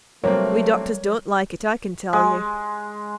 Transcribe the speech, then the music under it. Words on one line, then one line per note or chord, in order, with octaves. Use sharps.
We doctors don't like it, I can tell you!'
C3 F#3 G3 A3 A#3 C4 A#4 C#5
G#3